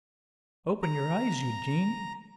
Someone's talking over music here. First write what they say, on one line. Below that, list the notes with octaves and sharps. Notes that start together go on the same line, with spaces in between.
Open your eyes, Eugene?
A#5